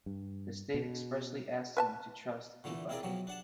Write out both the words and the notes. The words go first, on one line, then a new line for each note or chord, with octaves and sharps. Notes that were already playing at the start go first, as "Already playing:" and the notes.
The state expressly asks him to trust to Bucket.
G2
B2
B4 G#5 A5
A#2 D3 E3 A3
C4 E4 F4 G#4 A#4 D5
B2 F3 F#3 G4
D4 F#5 A5